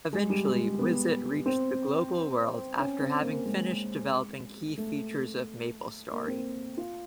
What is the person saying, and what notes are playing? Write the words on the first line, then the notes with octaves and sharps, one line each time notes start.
Eventually, Wizet reached the global world after having finished developing key features of MapleStory.
G#3
G3
G#3
B3
C4
C#4
C4
A#3
G#3
A3
A#3
C4
F4